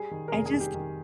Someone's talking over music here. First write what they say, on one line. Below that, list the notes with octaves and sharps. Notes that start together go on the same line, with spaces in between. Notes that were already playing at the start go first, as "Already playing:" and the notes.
I just
Already playing: G3 G#4
D#3
A#4
F1 G#4
G#4
D#3
G4
D#3